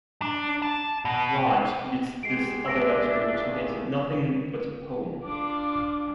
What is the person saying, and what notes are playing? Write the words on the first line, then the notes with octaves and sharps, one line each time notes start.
Raj gets this other letter which contains nothing but a poem.
D4
A5
B2
G#3 F#4 G4 C7 D7
D4 E5 E6 A#6 D7
D#2 A2 G#4
D4 F4 D6